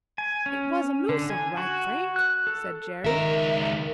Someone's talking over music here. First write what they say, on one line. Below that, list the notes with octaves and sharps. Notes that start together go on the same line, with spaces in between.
"It was a moose, all right, Frank!" said Jerry.
G#5
C#4
D3
G#5
F#4
F#6
A4
C#2 D#3 A#4 E5